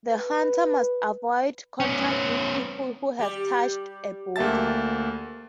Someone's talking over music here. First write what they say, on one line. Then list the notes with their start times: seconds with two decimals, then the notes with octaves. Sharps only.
The hunter must avoid contact with people who have touched a body.
0.11 B4
1.80 B3 C#4
3.19 G3 G4
4.36 D2 A#3 G4 E5 A5 A6